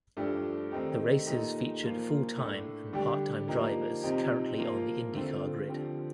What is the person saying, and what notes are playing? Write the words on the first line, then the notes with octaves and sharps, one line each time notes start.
The races featured full time and part time drivers currently on the Indycar grid.
G2 F3 A3 D4 G4
D#3 A3 C4 D#4 G4
A#2 A3 D#4 G4
A#2 F3 A#3 F4
A2 A3 D4
D3 G3 D4 G4
F3 A#3 D#4 G4
C3 F3 C4 D#4 G4
F3 A#3 F4
D3 A3 C4 F4
D3 F3 C4 G4